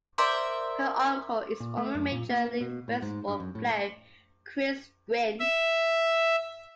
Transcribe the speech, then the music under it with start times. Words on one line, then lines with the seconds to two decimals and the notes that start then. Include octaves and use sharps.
Her uncle is former Major League Baseball player Chris Gwynn.
0.18 A#4 C5 D5 E5
1.60 A#2
1.77 A3
1.95 F#2
2.12 A#2
2.30 A#3
2.61 B2
2.88 A2
3.02 G#2
3.28 G2
3.40 F#2
3.55 A2
5.40 E5